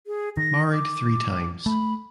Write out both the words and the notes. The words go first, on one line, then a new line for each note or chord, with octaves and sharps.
Married three times.
G#4
D#3 A#6
D6
A3 B5